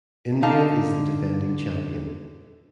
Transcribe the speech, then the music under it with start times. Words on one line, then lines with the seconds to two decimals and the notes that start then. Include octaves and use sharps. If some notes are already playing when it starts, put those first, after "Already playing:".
India is the defending champion.
0.42 D3 D#4 F5 A5